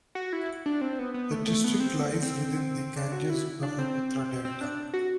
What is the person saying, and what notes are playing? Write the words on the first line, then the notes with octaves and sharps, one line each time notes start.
The district lies within the Ganges-Brahmaputra delta.
F#4
E4
D4
C4
B3
B3
A3
A3
B3
C4
C4
D4
F#4
E4
D4
C4
C4
D4
F#4